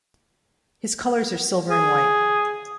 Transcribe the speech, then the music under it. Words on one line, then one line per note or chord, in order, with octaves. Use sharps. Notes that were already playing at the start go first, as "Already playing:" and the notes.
His colors are silver and white.
G#4